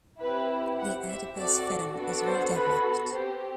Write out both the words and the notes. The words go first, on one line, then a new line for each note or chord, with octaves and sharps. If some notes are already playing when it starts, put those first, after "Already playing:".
The adipose fin is well developed.
C4 E4 G4 B4
C4 G4 F#5
E5
C4 F#4 A4 D5
B3 D4 F#4 A4
C5
B3 F#4 A4 B4
C4 G4 C5